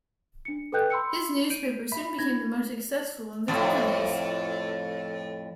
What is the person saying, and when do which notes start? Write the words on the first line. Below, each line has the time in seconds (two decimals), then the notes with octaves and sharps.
His newspaper soon became the most successful in the colonies.
0.45 D4 C#7
0.72 A4 B4 D#5 G5 F#6 G6
0.90 B5 C6 E6 C#7
1.50 G6 D7 D#7
1.92 E5 B5 B6
2.18 D4 E4 B5 G#6 A#6
3.48 F2 A2